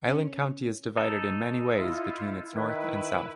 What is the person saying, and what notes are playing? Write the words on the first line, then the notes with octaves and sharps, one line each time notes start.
Island County is divided in many ways between its north and south.
C#4
D#4 A4
E4 F4
D#3 E4 B4